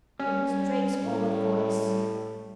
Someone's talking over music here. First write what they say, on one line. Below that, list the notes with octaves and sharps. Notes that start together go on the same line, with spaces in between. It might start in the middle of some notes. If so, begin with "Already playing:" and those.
It was Drake's awed voice.
G3 C#4
A2